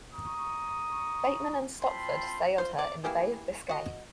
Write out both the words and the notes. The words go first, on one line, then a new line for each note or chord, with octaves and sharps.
Bateman and Stopford sailed her in the Bay of Biscay.
A#5 C#6 D#6
C4 F4 G5 A5 B5 C6
F4 C5
C3 D5
E3 A#3 G4 G#4
F#4 D#5